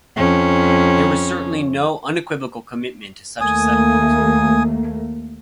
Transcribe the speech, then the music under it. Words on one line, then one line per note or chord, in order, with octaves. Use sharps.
There was certainly no unequivocal commitment to such a settlement.
F2 C#4
D#2 A3 A#3 G#5 D#6